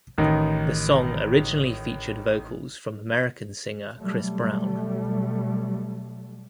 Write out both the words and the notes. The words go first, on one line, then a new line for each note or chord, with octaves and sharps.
The song originally featured vocals from American singer Chris Brown.
A1 D#3 D#4
B2 F#3 G3 A3